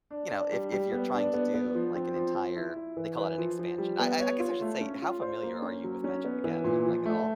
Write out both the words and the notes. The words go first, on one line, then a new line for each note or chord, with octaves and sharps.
you know, if if you're trying to do, like, an entire they call it an expansion. I I I guess I should say how familiar are you with Magic: The Gathering, like, at all?
D4
D4
G3
G3
B3
D4
B3
B3
F3
C4
F3
F3
E4
E4
E3
E3
F3
F3
G3
B3
C#5
F4
A3
C#4
F4
C5
A#3
C#4
F#3
C#4
B3
E3
A#2
F3
A3